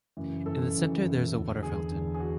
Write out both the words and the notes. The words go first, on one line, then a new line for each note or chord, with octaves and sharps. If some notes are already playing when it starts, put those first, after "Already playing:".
In the center there is a water fountain.
F#2 C#3 E3
F#2 C#3 E3 A4
F#2 C#3 E3
F#2 C#3 E3
E2 D3
E2 D3 G#4
E2 D3
G#4
F#4